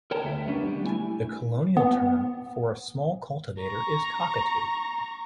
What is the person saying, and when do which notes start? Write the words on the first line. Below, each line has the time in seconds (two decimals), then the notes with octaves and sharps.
The colonial term for a small cultivator is cockatoo.
0.11 A#4 C#5 G5 A5 A#5
0.24 D2 E5
0.47 G3 B3 C#4 D4
0.66 G3 C#4 D4 G4
0.83 A3 E4 G#5
1.77 B3
3.61 A#5 C#6